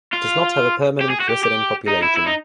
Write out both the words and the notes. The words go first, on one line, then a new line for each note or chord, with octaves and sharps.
It does not have a permanent resident population.
F4
G4
G#4
F#4
G4
G4
D#4
E4
E4
D#4